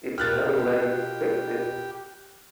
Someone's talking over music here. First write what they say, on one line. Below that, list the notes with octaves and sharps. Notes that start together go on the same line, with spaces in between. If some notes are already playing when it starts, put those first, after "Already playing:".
It’s never late to fix it.
B2 F4 G4 A#4 F6 F#6 A6